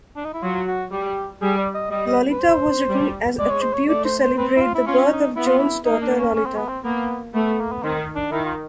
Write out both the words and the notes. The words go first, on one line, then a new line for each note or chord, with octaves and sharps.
"Lolita" was written as a tribute to celebrate the birth of Jones' daughter Lolita.
D4
D#4
E4
F#3 F4
F#4
G3 G4
G3 G#4
D5
D#5
G3 D#5
D#5
B4
C5
G3
G#3 D5
C#5
C5
C#5
A3 D5
C5
C5
C4 B4
E4
F4
E4
C#4 F4
D#4
B3 E4
F4
E4
A#3 D#4
D4
C#4
C#4
C4
B3
C4
A#3 B3
A3 B3
A#3
B3
D#3 C4
D4
D#3 E4
F4